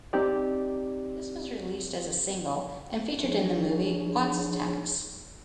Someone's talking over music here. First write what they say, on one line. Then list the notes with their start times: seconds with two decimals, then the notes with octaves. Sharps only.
This was released as a single and featured in the movie Wattstax.
0.13 C4 D#4 G4 D5
3.24 F3 D4 D#4 G#4 C#5